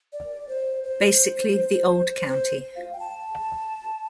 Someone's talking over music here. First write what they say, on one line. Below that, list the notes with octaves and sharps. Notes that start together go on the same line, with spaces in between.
Basically the old county.
D5
C5
C5
C5
F5
G5
A5